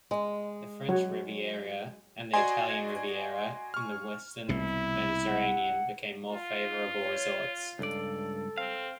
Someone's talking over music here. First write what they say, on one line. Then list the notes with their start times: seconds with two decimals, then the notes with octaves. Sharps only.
The French Riviera and Italian Riviera in the western Mediterranean became more favorable resorts.
0.11 G#3
0.89 F#3 F#4 C#5
2.33 F#4 D5 D#5 G#5 C6 G#6
3.74 C#6 F6
4.49 C2 B2 E4
5.29 F#5
6.31 F4
7.00 C#5
7.79 C#2 G2 A4 D5
8.58 C4 F5